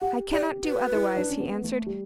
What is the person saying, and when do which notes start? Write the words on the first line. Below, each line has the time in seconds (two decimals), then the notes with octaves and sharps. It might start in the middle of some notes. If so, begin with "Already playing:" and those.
"I cannot do otherwise," he answered.
0.01 G4 F#5
0.32 G4 D5
0.63 F#4 B4
0.94 E4
1.17 D4
1.30 C#4
1.40 B3
1.64 A3
1.87 G3